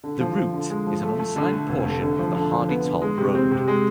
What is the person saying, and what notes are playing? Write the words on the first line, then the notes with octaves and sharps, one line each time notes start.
The route is an unsigned portion of the Hardy Toll Road.
D3
F3
F3
D3
G#3
F3
A3
A3
D3
A3
F1
A3
D3
F3
D3
F3
B3
D3
G#3
C3
C4
C3
G#3